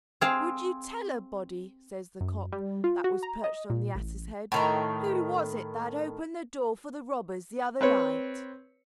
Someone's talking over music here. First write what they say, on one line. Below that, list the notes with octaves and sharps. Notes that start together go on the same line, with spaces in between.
"Would you tell a body," says the cock that was perched on the ass's head, "who was it that opened the door for the robbers the other night?"
C4 G#4 F5
F#2
G3
F4
F#4
A#5
D#5
A#2
A1
A2 D#3 A#5
C4 B4 C#5